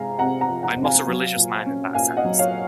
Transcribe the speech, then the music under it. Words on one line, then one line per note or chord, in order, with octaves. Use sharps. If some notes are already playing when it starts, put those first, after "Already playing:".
I'm not a religious man in that sense.
Already playing: C3 G#3 F5 G#5 A#5
C3 F#5 A#5
F#5 A#5
F3
F#5 A#5
C3
F5 G#5
F#3
A#2
C#4
A#2 F5 G#5
D#5 F#5
F#3
C#5 F5